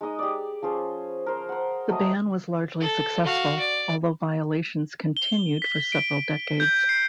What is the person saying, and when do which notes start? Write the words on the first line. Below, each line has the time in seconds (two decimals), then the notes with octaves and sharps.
The ban was largely successful, although violations continued for several decades.
0.01 G#3 D#4 D#5 D#6
0.19 G4 D5
0.62 F3 C#4 G#4 C5
1.26 A#4 C5
1.49 C5 F#5
1.90 F#3 A3 D#5 D#6
2.81 A4
3.25 F#4 F5
3.59 D5
5.17 G7
5.62 B6
5.92 D7
6.60 G6
6.89 C7